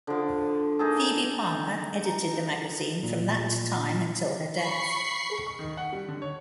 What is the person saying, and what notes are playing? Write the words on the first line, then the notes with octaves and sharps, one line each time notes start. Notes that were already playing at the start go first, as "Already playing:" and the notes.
Phoebe Palmer edited the magazine from that time until her death.
D3 F3
A#3 D#4 G#4 A4
A#5
A#2
B5 C#6 C7
C#6
D#3
F#5
G3
D3
C#5